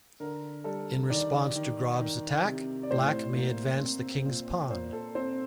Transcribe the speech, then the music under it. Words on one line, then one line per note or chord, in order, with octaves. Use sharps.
In response to Grob's Attack, Black may advance the king's pawn.
D3 A#4
G3 A4
D#3 D5
D#3
D#3
C3
D5
A2 C5
A#3
C4
A#2
A#2 C5
A4
C4 C5